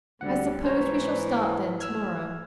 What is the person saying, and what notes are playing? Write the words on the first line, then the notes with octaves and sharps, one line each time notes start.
"I suppose we shall start, then, to-morrow."
D2 D3 G3 F#5
G#2 E3 C5 C#5 A#5
E6 F6 G#6